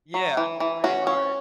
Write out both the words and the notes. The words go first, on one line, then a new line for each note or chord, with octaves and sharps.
Yeah, under the radar,
F#3
E3
E3
C#4 F#4
C#4